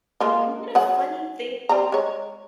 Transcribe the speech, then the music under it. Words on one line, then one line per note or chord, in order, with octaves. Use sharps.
And, and what a funny thing to
G#3 A#3 F4
F#3 G#4 F#5
G3 C4 A#5
G#3 C#5